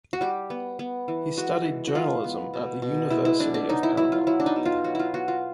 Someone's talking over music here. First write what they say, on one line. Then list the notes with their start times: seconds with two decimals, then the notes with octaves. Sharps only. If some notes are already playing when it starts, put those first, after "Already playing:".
He studied journalism at the University of Panama.
0.13 F#4
0.21 G3 G4
0.50 B3
0.79 B3
1.08 E3
1.37 G#3 F#4
1.66 E3
1.87 F#4
1.95 G#3 F4
2.24 B3
2.54 B2
2.82 B2
3.10 G#3 E4
3.25 E4
3.39 B2 D4
3.54 D4
3.69 F#3 D#4
3.83 E4
3.97 F#3 E4
4.12 F4
4.27 F#3 E4
4.40 D4
4.46 D#4
4.56 B2
4.65 F4
4.84 F#3 F#4
4.95 E4 F4
5.14 B3 F#4
5.28 F4